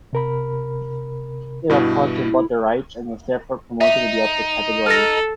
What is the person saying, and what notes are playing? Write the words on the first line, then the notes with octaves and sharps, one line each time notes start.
Irapuato bought the rights and was therefore promoted to the upper category.
C3 A#4 B5
G2 B2 E4
D#4 E5
A4 F6 A#6